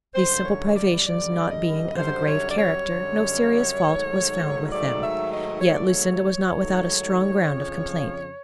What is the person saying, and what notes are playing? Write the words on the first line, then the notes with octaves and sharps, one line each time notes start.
These simple privations not being of a grave character, no serious fault was found with them; yet Lucinda was not without a strong ground of complaint.
F#2 D3 G3 C5
C#5
D5
F#2 D3 G3 D5
D#5
F#2 D3 G3 C5
C#5
D5
C#5
F#2 D3 G3
G#2 D#3 F#3 A3
G#2 D#3 F#3 A3 D5
E5
D#5
G#2 D#3 F#3 A3 C#5
D5
C#5
G#2 D#3 F#3 A3
F2 C#3 F3